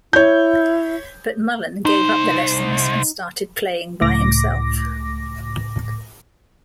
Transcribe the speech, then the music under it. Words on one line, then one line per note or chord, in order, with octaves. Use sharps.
But Mullen gave up the lessons and started playing by himself.
E4 C#5 G6
C2 D#4 C5
C#2 A2 D6 A#6